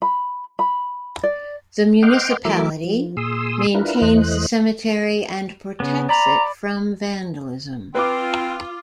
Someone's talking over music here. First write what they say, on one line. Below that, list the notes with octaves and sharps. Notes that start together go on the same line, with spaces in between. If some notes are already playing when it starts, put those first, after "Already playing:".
The municipality maintains the cemetery and protects it from vandalism.
B5
B5
D5
D#5 F#5 G5 C6 D6 F6
E3 F#3 A3 A#4 E5 D6
F3
A#2 G#4 C6 D#6 E6
D4 E4 F4 A#4 B4
E2 E3 A3 C5 D#5 F#6
C#3 B3
D5 A#5 B5
C4 F4 B4 D6